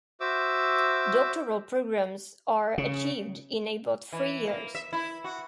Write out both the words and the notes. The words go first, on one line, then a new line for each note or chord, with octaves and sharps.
Doctoral programmes are achieved in about three years.
F#4 C5 E5 D6 E6
C#3
E3
A#3
E5
E4
F#4